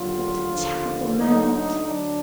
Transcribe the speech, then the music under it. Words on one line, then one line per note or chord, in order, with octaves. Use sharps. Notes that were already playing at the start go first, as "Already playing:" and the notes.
"What a terrible moment!"
Already playing: D#2 D3 F#3 F4
D#2 D3 F3
D2 D3 F#3 D#4
D#4
D2 D3 F#3 D4